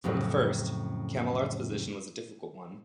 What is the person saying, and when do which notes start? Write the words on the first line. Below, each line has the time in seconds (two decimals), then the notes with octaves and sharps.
From the first, Chamillart's position was a difficult one.
0.04 F2 A2 C#3 F#3